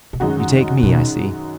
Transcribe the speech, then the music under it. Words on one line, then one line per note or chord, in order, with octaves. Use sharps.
You take me, I see.
B2
F#2 D3 D#3 G#3 D#4 F#4
B2